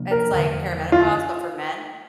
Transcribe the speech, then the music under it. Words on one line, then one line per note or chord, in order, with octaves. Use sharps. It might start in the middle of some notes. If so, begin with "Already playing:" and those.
it's like perimenopause, but for men.
Already playing: C3 F3 A#3 D4
A#4
E2 D3 F3
F4